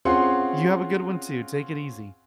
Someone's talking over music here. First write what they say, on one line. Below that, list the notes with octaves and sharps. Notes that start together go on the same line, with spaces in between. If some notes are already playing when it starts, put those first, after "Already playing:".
You have a good one too, take it easy.
C4 C#4 F4 G#4 F#5 C6